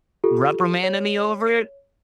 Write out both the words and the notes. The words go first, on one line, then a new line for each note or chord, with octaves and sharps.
reprimanding me over it,
F4 G4 A4
C#5